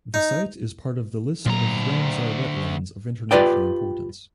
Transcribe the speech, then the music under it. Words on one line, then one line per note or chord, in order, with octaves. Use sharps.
The site is part of the List of Ramsar wetlands of international importance.
D#4
D2 A#2 F#3 A#5
F4 G4 B4 D5 G5